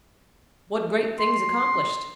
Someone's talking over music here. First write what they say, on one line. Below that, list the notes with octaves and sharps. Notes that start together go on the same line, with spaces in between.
What great things accomplished!
C6